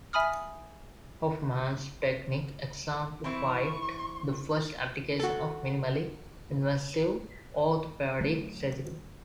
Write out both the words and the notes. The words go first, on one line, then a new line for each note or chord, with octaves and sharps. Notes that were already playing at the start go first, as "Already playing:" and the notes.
Hoffmann's technique exemplified the first application of minimally invasive orthopaedic surgery.
E5 G#5 B5 D#6 F6
E3 C4 E4 C#6
F#4 A4
D3 F#3 A3